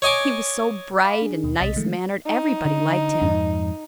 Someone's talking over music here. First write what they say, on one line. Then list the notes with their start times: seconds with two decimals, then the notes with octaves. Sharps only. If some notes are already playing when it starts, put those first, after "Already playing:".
He was so bright and nice-mannered everybody liked him.
0.02 C#5 D#5 G#5 D6
1.04 F5 B5 D6 B6
1.22 D4 G#4
1.43 D#2 B2
1.59 B1 C3 D#5 A6 B6
1.76 D#3 F3 G#3 A3
2.26 D#4
2.65 D3
3.21 F2 G#2